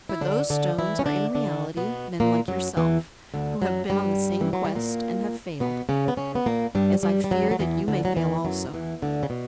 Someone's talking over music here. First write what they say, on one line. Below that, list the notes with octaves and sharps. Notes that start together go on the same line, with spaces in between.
For those stones are in reality men like yourself, who have been on the same quest, and have failed, as I fear that you may fail also.
E4
D3 D4
D3 D4
E3 E4
C#4
D3 D4
D3 D4
B2 B3
A#2 A#3
F#2 F#3
E2 E3
D2 D3
F#2 F#3
G2 G3
E3
F#3
G3
A#2 A#3
B2 B3
C#3 C#4
B3
C#3 C#4
B3
A#2 A#3
G2 G3
G2 G3
G3
F#2 F#3
G3
F#3
E2 E3
D2 D3
F#3
E2 E3
F#2 F#3
E2 E3
D2 D3
C#3
B2